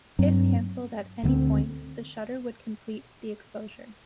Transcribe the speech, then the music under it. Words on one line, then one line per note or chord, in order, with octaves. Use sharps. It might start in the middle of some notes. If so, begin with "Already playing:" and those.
If cancelled at any point the shutter would complete the exposure.
G2 F#3 C4
D2 D3 A3 C4